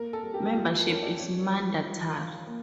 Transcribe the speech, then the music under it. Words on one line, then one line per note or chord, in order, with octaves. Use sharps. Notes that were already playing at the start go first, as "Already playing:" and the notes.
Membership is mandatory.
Already playing: A#3 A#4
A4
G3
G4
G4
G3 F4
C#4 A#4
D5
C#4 C#5
F3
F3
F4
A#3